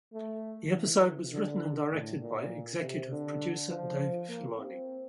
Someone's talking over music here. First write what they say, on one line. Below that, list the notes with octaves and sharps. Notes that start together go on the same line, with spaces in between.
The episode was written and directed by executive producer Dave Filoni.
A3
E3
D3
A2
A#2
C3
D3
F3
A#3
C4